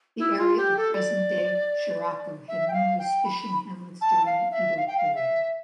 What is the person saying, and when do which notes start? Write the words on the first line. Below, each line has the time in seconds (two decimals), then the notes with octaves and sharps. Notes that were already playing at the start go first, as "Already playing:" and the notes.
The area of present-day Shirako had numerous fishing hamlets during the Edo period.
0.19 E4
0.38 F4
0.57 G4
0.77 A4
0.95 D5
2.48 E5
2.68 G5
2.73 F5
2.99 G5
3.25 B5
4.01 A5
4.26 F5
4.51 E5
4.77 F5
4.87 G5
4.97 F5
5.15 E5